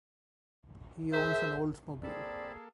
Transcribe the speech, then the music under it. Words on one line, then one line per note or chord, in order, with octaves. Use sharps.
He owns an Oldsmobile.
G#4 A#4 C5 E5
A#3 C4 G#4 A4 D5 A5 B5